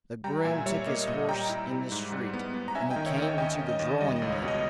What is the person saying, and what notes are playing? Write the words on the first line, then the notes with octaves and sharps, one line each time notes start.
The groom took his horse in the street, and he came into the drawing-room.
G3 G5 A#5
A#2 E5 G#5
G3 C#5 E5
A#3 D#5
A#2 D#5
G3 G5 A#5
E4
G3
G#2
G3
B3
B3
A#5
C#4 E5 G#5
D#5 G5
D#3
C#5 E5
D#2
D#5 G5
C#4 D#5 G5
C#4
D#5
D#2
G3 D#5
D#5
C#2
C#5
B2
D#5